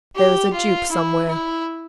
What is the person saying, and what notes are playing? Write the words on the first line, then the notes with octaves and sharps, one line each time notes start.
"There is a dupe somewhere."
G4
F4
E4
E4